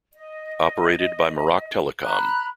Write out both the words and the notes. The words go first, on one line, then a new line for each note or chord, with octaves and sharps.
Operated by Maroc Telecom.
D#5
A#5 B5 F#6